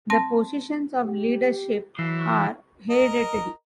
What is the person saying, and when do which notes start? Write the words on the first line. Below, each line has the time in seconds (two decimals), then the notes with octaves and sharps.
The positions of leadership are hereditary.
0.10 C4 A5 A#6
1.05 G4
1.99 E3 F#3
2.90 A#4 D#5 A#5